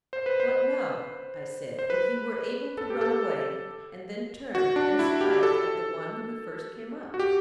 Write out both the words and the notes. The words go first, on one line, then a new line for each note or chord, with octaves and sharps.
What, now, I said, if he were able to run away and then turn and strike at the one who first came up?
C5
B4
C5
C5
B4
A4
G4
A4
F#4
D4
E4
G4
A4
F#4
G4